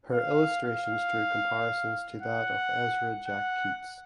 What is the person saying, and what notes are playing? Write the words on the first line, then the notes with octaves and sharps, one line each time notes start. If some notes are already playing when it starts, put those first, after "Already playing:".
Her illustrations drew comparisons to that of Ezra Jack Keats.
F5
F5
F#5
F#5